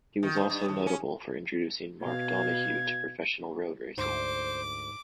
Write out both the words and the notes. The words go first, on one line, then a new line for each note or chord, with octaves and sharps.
He also was notable for introducing Mark Donohue to professional road racing.
D#3
G#2
G2
D#2
C#4
B2 F5 G#6
D2 G#2 C5 D6